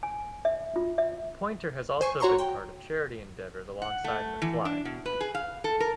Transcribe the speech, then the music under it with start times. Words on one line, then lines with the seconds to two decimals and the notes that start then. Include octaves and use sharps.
Poynter has also been part of charity endeavors alongside McFly.
0.03 G#5
0.45 E5
0.76 F4
0.98 E5
2.01 C5 G#5 C#6
2.20 F#4 C#5 A#5 C6 C#6
2.38 G5
3.82 F#5
4.04 A3
4.42 E3
4.65 D4
4.85 B2
5.06 B4
5.21 G#4
5.35 F5
5.64 A4
5.80 A#4